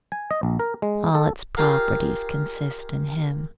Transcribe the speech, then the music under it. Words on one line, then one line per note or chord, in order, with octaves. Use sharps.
All its properties consist in him.
G#5
D#5
A#1
A#4
G#3
A4
F4 G4 G#4 A#4 F5